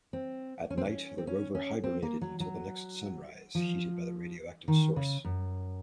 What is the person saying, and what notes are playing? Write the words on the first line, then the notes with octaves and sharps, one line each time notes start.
At night the rover hibernated until the next sunrise, heated by the radioactive source.
C4
C#4
C4
C#4
C4
C#4
C#4
C4
A#3
F#3
F#3
F3
D#3
C#3
F#2